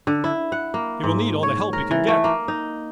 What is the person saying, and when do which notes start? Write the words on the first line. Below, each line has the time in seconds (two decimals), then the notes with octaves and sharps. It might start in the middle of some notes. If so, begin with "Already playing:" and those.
He will need all the help he can get!
0.07 D3
0.24 E4
0.52 F#5
0.74 A#3
1.04 G#2
1.43 C#5
1.73 A#4
1.91 E3
2.08 A3
2.24 A#3
2.48 D#4